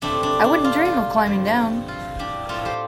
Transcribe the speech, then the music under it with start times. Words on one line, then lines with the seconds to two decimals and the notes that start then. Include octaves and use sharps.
I wouldn't dream of climbing down.
0.02 C3 A3 C4 D4
0.23 D4
0.44 D4
0.64 F4
0.85 F4
1.26 G2 F3 C4
1.88 F4
2.19 D4 G4
2.49 A2 A3 C4 F4 A4
2.65 G4 C5